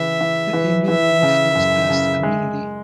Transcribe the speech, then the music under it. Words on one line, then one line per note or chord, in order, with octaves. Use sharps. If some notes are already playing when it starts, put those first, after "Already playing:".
The Indian River flows past the community.
Already playing: C#3 E3 E5
E3
E3
E3 E5
C#3
F#2
C#3
G#3